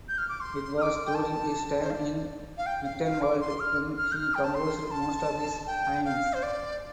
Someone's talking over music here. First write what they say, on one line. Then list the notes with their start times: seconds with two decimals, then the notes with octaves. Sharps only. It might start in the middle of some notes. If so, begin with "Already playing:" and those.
It was during his time in Mittenwalde when he composed most of his hymns.
0.09 G6
0.18 F6
0.29 D6
0.41 C6
0.78 F6
0.82 D6
1.07 G5
1.15 A5
1.82 C5
1.90 F5
1.95 D5
2.58 F5
2.66 G5
2.84 F5
3.04 F5
3.22 D6
3.40 C6
3.60 F6
3.97 F6
4.12 G6
4.16 F6
4.35 G5
4.44 A5
4.55 C6
4.91 A5
5.67 G5
6.05 F5
6.34 C5
6.43 D5